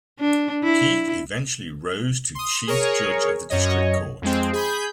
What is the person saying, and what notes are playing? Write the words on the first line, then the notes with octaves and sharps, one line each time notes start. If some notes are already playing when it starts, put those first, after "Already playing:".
Keith eventually rose to Chief Judge of the District Court.
D4
E4
C6 D#6
G#4 A#4 C#5
F#2 C#5 D#5
F2 G#3 C4
G#4 B5 G6